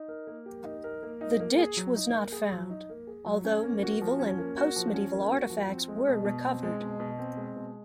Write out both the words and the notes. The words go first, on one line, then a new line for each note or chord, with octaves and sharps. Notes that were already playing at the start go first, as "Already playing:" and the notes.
The ditch was not found, although medieval and post-medieval artefacts were recovered.
Already playing: D#4
A#4
A#3
G4
D#4
A#4
A#3
D#4
A#3
G#4
F#3
D#4
A#3
G#4
F#3
D#4
A#3
G#4
F#3
C#4
A#3
F#4
F3
C#4
A#3
F#4
F3
C#4
A#3
F#4
F3
C4
G#3
B2
B2
C4
G#3
B2
B2
C4
G#3
B2